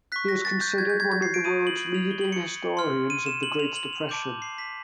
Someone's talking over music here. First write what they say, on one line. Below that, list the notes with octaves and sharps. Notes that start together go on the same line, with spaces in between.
He is considered one of the world's leading historians of the Great Depression.
C#6 F#6 B6
A#6
A6
G6
G#6
G6
G#6
G#6
C7
D7
B5 D#6 F#6 D#7
F#7
F#7
F7
G7
F#7
C#7
C6 F6
D#7
E7
F#7
F7
F#7
F7
A5 D6 G6
C7
B6